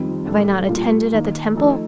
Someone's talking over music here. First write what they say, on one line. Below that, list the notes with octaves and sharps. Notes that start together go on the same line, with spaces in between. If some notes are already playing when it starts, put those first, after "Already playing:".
Have I not attended at the Temple?
Already playing: F2 D#3 G3 C4 F4
A2 G3 D4 A4
A#2 G3 D4 F4
D#3 A#3 D#4
F3 A3 D#4 A4